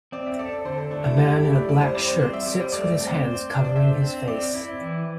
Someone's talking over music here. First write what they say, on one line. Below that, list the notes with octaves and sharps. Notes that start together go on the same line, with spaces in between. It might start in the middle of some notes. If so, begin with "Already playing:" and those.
A man in a black shirt sits with his hands covering his face.
C4 D5
E5
A4 D5
D3 C5
A4
A3 D4
E4
A3 G4
E4
E4 G4
D5
G3 D5
C5
C4 D5
C5
C5 D5
E5
G3 D5
C5
A3 D5
C4
C5
D4
D5
C5 E5
C4
C4 D5
E4
E3